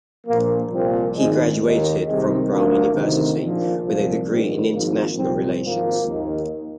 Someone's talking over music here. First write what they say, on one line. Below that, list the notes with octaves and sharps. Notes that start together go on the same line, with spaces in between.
He graduated from Brown University with a degree in International Relations.
A#1 A#2 F3 A#3
C2 A#2 F3 C4
G#1 G#2 D#3 G#3
D#2 D#3
C2 C3 D#3 G#3
D2 D3 F3 A#3
D2 C3 D#3
A#1 A#2 F3
C2 A#2 F3
A#1 G#2 D#3 G3
G#1 G#2 F3 A#3
C2 A#2 F3 C4
G#1 G#2 F3 A#3
D#2 D#3